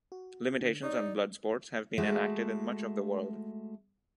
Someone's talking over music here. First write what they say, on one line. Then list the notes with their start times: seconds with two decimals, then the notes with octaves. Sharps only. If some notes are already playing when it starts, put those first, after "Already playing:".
Limitations on blood sports have been enacted in much of the world.
0.12 F#4
0.61 D3
0.83 D#4 C#5 D5
1.98 G#3 A3 F#4